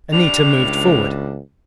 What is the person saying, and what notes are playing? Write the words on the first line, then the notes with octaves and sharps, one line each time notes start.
Anita moved forward.
A2 G3 D4 F7
C#2